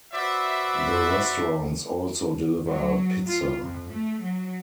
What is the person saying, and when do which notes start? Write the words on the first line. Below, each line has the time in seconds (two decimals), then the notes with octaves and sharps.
The restaurants also deliver pizza.
0.13 F#4 B4 C5 D5 E5
2.68 F#3
3.28 F4
3.61 F2
3.92 A3
4.23 F#3